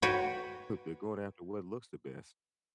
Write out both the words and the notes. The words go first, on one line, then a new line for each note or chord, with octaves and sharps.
They're going after what looks the best.
F#4 B4 C#5 G5